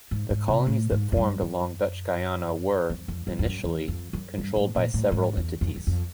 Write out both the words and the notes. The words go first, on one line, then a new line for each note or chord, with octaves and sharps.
The colonies that formed along Dutch Guiana were, initially, controlled by several entities.
G#2
G#2
C3
A2
G#2
F#2
G2
F#2
F2
F2
F#2
F2
F#2
E2
F2
F#2
G2
A2
A#2
A2
G#2
E2
F2
E2
F2